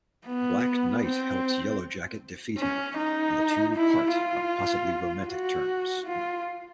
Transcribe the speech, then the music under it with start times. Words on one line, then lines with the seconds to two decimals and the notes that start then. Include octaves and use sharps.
Black Knight helps Yellowjacket defeat him and the two part on possibly romantic terms.
0.27 B3
1.04 C4
2.58 C#4
2.97 D#4
3.75 E4
4.12 F4
5.29 F#4
6.06 F4